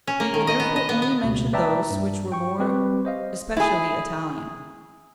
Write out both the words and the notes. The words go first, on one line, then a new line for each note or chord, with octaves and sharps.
We will therefore only mention those which were more especially Italian.
C#4
A#3
D#3
D#5
B3
D#5
B3
B3
C#2 B2
B4 D5 E5 G5 A5 A#5
G2
G5 C#6
G3 C4 G4 B4
C5 D#5 F5
E4 G#4